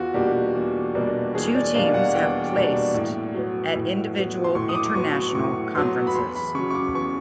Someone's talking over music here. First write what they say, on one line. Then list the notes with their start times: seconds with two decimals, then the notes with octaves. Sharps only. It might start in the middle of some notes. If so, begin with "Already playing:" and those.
Two teams have placed at individual international conferences.
Already playing: E2 F4 F#4
0.14 B2 G3 A#3 D4 G4
0.55 E2
0.95 B2 G3 A#3 D4
1.34 E2 G#4
1.55 D5
1.75 B2 G3 A#3 D4 F5
1.94 F#5
2.15 E2 G5
2.54 B2 G3 A#3 D4
2.94 A2
3.34 F#3 B3
3.75 A2
4.15 F#3 B3
4.44 C6
4.55 A2 C#6
4.69 D#6
4.75 D6
4.86 D6
4.95 F#3 B3 C#6
5.15 C#6
5.35 A2 C#6
5.75 F#3 B3 C6
6.07 B5
6.15 E2 C6
6.36 B5
6.55 C#3 C#6
6.59 F#3
6.70 C#6
6.75 D6
6.95 E2 C#6